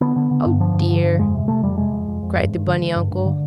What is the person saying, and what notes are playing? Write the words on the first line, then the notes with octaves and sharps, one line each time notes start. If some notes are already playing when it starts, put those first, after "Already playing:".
"Oh, dear!" cried the bunny uncle.
D3 B3
D3
D3
G2
D3 F3
G2
D3
G2
F2 G#3
C3
C3 A3
F2 G3
C3 G#3
F2
F2
F2
G2
G2
D3
D3
G2
G2
D3